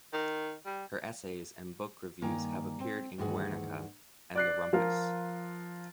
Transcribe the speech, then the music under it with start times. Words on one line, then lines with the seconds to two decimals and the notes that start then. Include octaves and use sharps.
Her essays and book reviews have appeared in Guernica and The Rumpus.
0.13 D#3
0.66 G3
2.22 G2 D#3 A#3 G#5 A#5
2.80 C4
3.18 D2 G2 D#3 E3 G#4 F#5
4.35 D5 F#6 C7
4.73 F3 F4 A#4